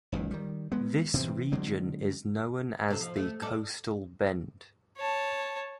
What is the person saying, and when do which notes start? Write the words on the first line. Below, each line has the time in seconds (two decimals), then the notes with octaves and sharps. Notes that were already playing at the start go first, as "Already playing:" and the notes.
This region is known as the Coastal Bend.
0.12 F#1 C#2 D#3 E3
0.31 D#3 G3
0.72 G#3 B3
1.14 C3 E3 C4
1.52 D3 F#3 G#3 C4
2.88 D#2 C3 A4
3.01 F3
3.16 A3
3.42 A4 D5
4.97 C#5 A5